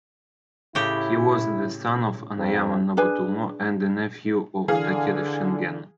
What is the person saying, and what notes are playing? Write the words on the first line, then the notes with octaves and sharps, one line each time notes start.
He was the son of Anayama Nobutomo and a nephew of Takeda Shingen.
A2 C#3 E4 G4
F2
D4 G#4 B4 G#5
D3 E3 G#4 F5